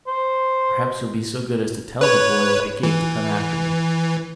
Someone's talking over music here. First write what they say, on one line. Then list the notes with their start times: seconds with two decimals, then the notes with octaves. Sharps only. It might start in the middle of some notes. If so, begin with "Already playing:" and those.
Perhaps you'll be so good as to tell the boy with the gig to come after me?
0.07 C5
2.01 B4 C#5
2.83 E3